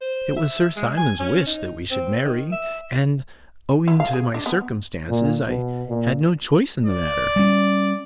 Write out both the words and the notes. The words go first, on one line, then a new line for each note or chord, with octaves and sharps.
It was Sir Simon's wish that we should marry, and, owing to my circumstances, I had no choice in the matter.
C5
E5
G#3
G#5
C#4
D#4
C4
D#3
E5
E4
F5
G#4
D4
B3
A#2
B2
A#2
D5
G3 C#4